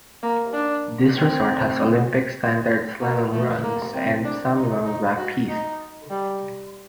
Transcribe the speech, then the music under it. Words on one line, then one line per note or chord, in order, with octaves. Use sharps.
This resort has Olympic-standard slalom runs and some long black pistes.
A#3
D4
C4
A#3
A3
A#3
C4
D4
D#4
D#4
F#4
D#4
G3